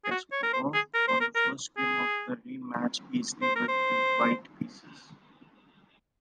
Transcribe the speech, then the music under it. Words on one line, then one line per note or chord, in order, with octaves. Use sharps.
Kasparov won the first game of the rematch easily with the white pieces.
G#4
F#4
C#5
A#4
C5
G#4
A#4
C5
A#4
A#4
G#4
C5
A#4
C5